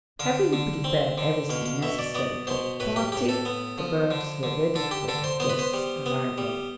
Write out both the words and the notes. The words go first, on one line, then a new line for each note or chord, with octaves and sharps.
Having prepared everything necessary for the party, the Bergs were ready for their guests' arrival.
D3 F5
D3
C4
D3
B2 F5
F5
B2 E5
D5
B3 D5
B2 C5
A2 B4
G4
A2 G4
A4
B3
F3
D3
D3
D3 A4
G4
D3 A4
C5
B3 C5
B4
C5
G3
B3
G3